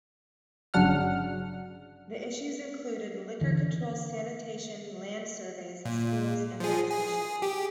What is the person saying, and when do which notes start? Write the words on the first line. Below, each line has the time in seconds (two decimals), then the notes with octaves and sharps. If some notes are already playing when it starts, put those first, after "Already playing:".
The issues included liquor control, sanitation, land surveys, schools, and taxation.
0.74 G1 C#3 F#3 D4 F#5 F6
3.41 D3 E3
5.85 A#2
6.60 F3 G#4
6.91 G#4
7.42 G4